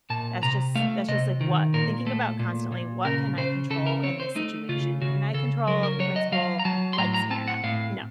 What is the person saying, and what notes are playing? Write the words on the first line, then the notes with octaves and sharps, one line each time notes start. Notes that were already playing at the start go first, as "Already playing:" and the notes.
that's just that's just like, what thinking about constantly, "What can I control in this situation? Can I control if the principal likes me or not? No.
A#2 A5
C3 A#5
A3 F5
C3 D#5
D#3
A#2 A#4
A3 A4
A#2
A#2
C#3 A#4
C#3 C5
C#3 A4
A#4
C4 C#5
C5
A3 D#4
C#3 F4
C#3 F#4
C#3 A4
F#3 A#4
A#4
F#3 C#5
D#5
F#3 F5
A#5
F#3 A5
C6
A2 A#5
A#5
C4 A5
F#5
A2 F5